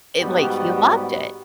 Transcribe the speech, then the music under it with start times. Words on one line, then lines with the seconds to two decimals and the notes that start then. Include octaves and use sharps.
it like he loved it!
0.19 G#2 G3 B3 F#4 G4